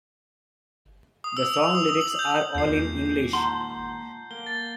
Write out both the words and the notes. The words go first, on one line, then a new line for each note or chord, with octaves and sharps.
The song lyrics are all in English.
D#6
E6
F7
D#6
D#6
F#7
G6
E2 A#2 D#3 G#3 G6 C7
F#5 A5 A#5 C6
A#3 G7
A6